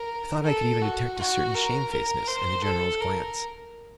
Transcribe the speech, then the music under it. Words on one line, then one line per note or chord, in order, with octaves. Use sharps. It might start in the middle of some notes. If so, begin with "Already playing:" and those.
I thought I could even detect a certain shamefacedness in the General's glance.
Already playing: A#4
A4
F#4
F#4
A#4
A#4
C5
A4
A#4